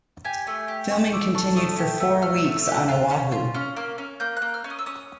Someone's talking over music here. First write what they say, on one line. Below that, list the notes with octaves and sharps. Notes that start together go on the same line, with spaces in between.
Filming continued for four weeks on Oahu.
G4 G#5
A3 G#5
G4
A3 C#6
A3 D6
D4 C#6
A3 D#6
G4
A3
A3 F6
E6
A3
E6
G4
F#6
F4
C#4
F4
C#4 F6
A#3 F6
C#4
A#3 G6
F#6
A#3
F6
C#4
D#6
E6
C#4 D#6